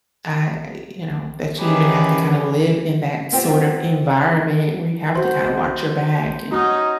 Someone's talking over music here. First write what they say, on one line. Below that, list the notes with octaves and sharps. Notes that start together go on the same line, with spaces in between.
I you know, that you even have to kinda live in that sort of environment where you have to kinda watch your back and,
D#3 E3 C#4 G4 G#4 B4
B3 C4 F4 G4 C5 G5
F#4 C5 C6 G6
C#4 D#4 F#4